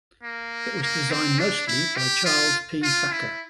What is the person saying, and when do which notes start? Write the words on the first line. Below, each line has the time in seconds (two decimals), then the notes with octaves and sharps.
It was designed mostly by Charles P. Thacker.
0.23 A#3
0.82 A#3
1.10 C4
1.39 D4
1.67 E4
1.96 G4
2.25 F4
2.83 F4
3.12 E4